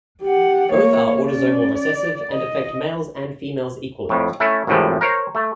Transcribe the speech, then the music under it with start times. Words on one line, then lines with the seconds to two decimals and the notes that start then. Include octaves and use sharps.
Both are autosomal recessive and affect males and females equally.
0.22 G4 F#5
0.73 A#3 C#5
1.27 C#4 D5
1.75 D5
2.33 D#5
4.09 F2 A2
4.40 A3 C#4 E4
4.67 G#1 E2 A2 C3 E3 F3
5.01 A#4 C5 C#5
5.35 A3